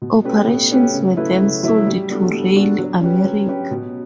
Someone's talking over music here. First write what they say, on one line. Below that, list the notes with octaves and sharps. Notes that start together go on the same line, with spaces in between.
Operations were then sold to RailAmerica.
B2
A3 C#4 G4 B4
B2
A3 C#4 G4 B4
C#3
F#3 A3 E4 B4
C#3
F#3 A3 E4 B4
G3
B3 D4 F#4 A4
G3
B3 D4 F#4 A4
F#3
C#4 G4 B4
F#3
C#4 G4 B4
B2